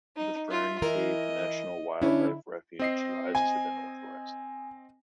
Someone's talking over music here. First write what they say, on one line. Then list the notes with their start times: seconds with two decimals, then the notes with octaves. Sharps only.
The Fern Cave National Wildlife Refuge lies to the northwest.
0.16 D#4
0.48 F4 E5
0.82 E3 E4 A#4 D#5
2.02 D3 C#4 D4 E4
2.79 C4 D#5 C7
3.35 G#5